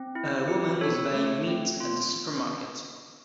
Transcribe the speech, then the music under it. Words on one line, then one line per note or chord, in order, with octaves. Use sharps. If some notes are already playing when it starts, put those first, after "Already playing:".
A woman is buying meat at a supermarket.
Already playing: C4
E4
G4
A4 C#5
A3
C4
F4